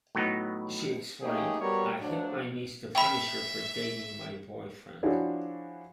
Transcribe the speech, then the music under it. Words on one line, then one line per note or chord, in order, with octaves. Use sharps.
She explained, I hit my niece to punish her for dating my boyfriend.
A2 F#3 B3 D#4
A3 A#3 C#4 D#4 G4 G#4
G3 B3 F#4 A#4 C#5
F3 F#3 A3 D4
E5 G5 B5
F3 D4 E4 F#4 G#4 C#5